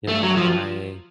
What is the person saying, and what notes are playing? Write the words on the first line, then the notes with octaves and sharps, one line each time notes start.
you know, I
A3
F#3
F3